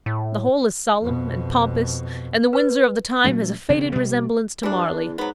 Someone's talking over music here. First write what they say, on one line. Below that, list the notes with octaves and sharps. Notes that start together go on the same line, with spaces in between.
The whole is solemn and pompous, and the Windsor of the time has a faded resemblance to Marly.
A2
F2 B2
B4
A#2 F#3 A3 C#4
E1 C#3 C4 C#4
B2 G3
G2 E3 D4
E2
G#2 F#3 B3